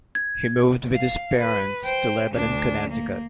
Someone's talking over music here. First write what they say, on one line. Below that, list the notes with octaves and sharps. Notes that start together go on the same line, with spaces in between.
He moved with his parents to Lebanon, Connecticut.
G#6
F5
B4
C5 G5
D2 D4
A#3